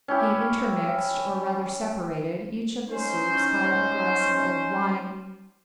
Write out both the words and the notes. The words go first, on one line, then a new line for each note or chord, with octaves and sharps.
He intermixed, or rather separated, each of the soups by a glass of old wine.
C#4 E4 G4
C#4 D#4 C5